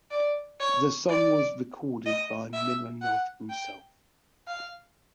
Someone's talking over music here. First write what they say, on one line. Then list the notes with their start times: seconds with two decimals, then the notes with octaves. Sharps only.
The song was recorded by Mironov himself.
0.11 D5
0.59 C#5
1.08 D5
2.05 D#5
2.53 E5
3.02 F#5
3.50 G5
4.47 F5